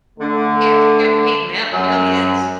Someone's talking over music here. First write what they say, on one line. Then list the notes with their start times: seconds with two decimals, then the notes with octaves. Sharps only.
Yeah, if you're getting paid m millions,
0.19 D3 A3
1.73 F#2